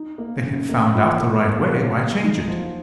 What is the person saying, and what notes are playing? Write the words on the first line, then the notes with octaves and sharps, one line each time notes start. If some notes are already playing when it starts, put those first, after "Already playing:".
"If they had found out the right way, why change it?"
Already playing: D#4
A#3
F#2
A#3
F4
A#3
A#3
F#3
A#3
D#4
F3